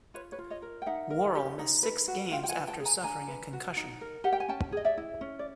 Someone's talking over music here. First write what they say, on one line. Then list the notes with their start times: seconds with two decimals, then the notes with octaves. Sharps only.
Worrell missed six games after suffering a concussion.
0.14 F4 B4 C#5
0.32 B4 C#5
0.38 F4
0.50 C#5 D#5
0.62 A#4
0.82 G5
0.86 D#4 E5 F#5
1.10 A#4
1.35 G4
1.59 D#4
1.83 B4
2.08 F#4
2.31 F4 F5 G5
2.43 G5
2.49 F#5 G#5
2.56 B4
2.67 G5 A5
2.80 G#4
2.85 G#5 A#5
3.04 D4 G#5 A#5
3.28 B4
3.53 F#4
3.76 D#4
4.01 A#4
4.24 G4 F#5
4.33 G5
4.40 G#5
4.48 C#4 G5 A5
4.72 G#4 D#5
4.85 D5 E5
4.98 E4
5.21 C#4
5.39 D5